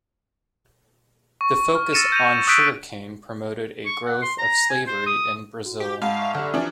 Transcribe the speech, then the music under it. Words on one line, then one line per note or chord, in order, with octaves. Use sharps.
The focus on sugarcane promoted a growth of slavery in Brazil.
C#6
F6
E6 A6 A#6 C#7 D#7 E7
G6 A#6 C#7 D#7 F7
D#6 E6 F#6 G6 B6 D7
C#6
F#5
C6
A#5
G#5
C5
D#6
F#4
G4
G#2 F5 F#5 A5 B5
E5 C#6
F#1 D3 G4 A#5 F6
E3 F3 D4